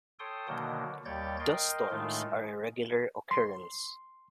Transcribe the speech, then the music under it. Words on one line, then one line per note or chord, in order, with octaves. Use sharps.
Dust storms are a regular occurrence.
A4 C#5 G5 C6 D#6
B2 D3 D#3 F#3 A#3
D#2 G3 C#5 D5 G6 A6
A#4 D#5 G5 C6
A2 D#3 G#3 A3 D#4 F4
C6